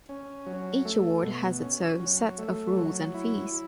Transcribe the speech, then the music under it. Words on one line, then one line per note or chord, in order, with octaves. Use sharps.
Each award has its own set of rules and fees.
C#4
F#3
A3
B2
C#4
F#3
A3
F#3
E4